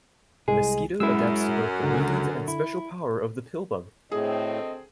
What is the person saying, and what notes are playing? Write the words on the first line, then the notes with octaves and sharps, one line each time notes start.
The Mosquito adapts to both the movement and special power of the Pillbug.
C2 G#3 G#4
F#2 G#3 E4 E6
C#2 D3
E4
D2 A2 C4 G#4 A4 D#5